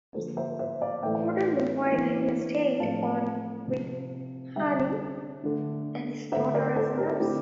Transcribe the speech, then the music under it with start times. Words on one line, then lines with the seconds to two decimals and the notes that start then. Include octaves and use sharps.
Corder, meanwhile, has stayed on with Honey and his daughter as a nurse.
0.14 D3 F3 A#3 D4 A4 C5
0.37 C5 E5
0.59 C5 E5
0.81 D5 F5
1.03 A2 E3 A3 E5 G5
1.91 E3 A#3 D4
2.79 A2 F3 A3 C4 F5 A5
3.68 C3 F3 C4
4.56 D3 G3 D4 E5 G5
5.43 D3 A3 D4
6.32 D3 A3 D4 C5 E5
6.54 A#4 D5
6.76 A4 C5
6.98 G4 A#4
7.20 D3 A3 C4 E4 G4